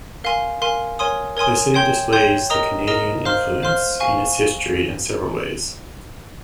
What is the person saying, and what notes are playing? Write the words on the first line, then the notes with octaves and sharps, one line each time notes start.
The city displays the Canadian influence in its history in several ways.
A#4 F5 G#5 C6
A#4 F5 G#5 C6
A#4 C#5 G#5 C6 D#6
A#4 C#5 G#5 C6 D#6
C#5 G5 C6 G6
C#5 G5 C6 G6
A#4 D#5 A#5 D#6
A#4 D#5 A#5 D#6
C5 F5 C6 F6
C5 F5 C6 F6
F5 G#5 C#6